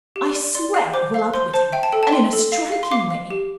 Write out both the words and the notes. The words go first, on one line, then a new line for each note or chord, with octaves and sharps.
I swear I will outwit him--and in a striking way!
G4
D5
D5 C6
F5
C5 D6
F5
C5 C6
C5 A5
E5 G5
A5
A4 G5
A5
G5 C6
A4
F5
F5
C6
F5 D6
F5
G4